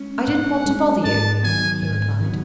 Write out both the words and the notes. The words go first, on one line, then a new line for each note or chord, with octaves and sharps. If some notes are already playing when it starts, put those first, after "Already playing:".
"I didn't want to bother you," he replied.
Already playing: G#3 C#4
A2 F#5
G#3 C#4
G#2 A5
D#3 F#3 B3 G#5
G#2 G#5
D#3 F#3 B3